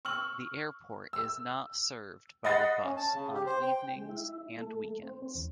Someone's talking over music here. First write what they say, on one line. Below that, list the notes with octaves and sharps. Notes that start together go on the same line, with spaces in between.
The airport is not served by the bus on evenings and weekends.
C#6 E6 F6 F#7
E6
D#5 F#5 B5 A6 A#6 C7
C#4
A5
C#3
G4
C5
G5
G#3
E4
A3
C4
E2